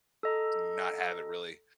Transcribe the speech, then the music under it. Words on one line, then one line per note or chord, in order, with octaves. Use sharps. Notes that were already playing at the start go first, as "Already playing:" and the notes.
not have it really
A4 D#5 A#5